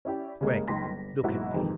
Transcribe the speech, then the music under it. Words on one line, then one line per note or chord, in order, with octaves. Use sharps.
"Gregg, look at me!"
C#4 E4 G4 D5
C#3 G3 G#3 A#3
F#1 C#2 D#4 C6 A#6 B6
G1
F#1 B1 G#2 F#3 E4 F#4
F2 G#2 C3 D#3 E3